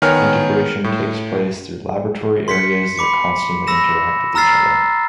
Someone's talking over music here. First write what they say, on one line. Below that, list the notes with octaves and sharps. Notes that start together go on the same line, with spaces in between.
Integration takes place through laboratory areas that constantly interact with each other.
D#3 B3 A#4 C#5 G#5 F6
A2
C6 B6 C#7
B5 D6 C#7
B5 E6 A#6 E7
A#5 E6 F6 A6 C7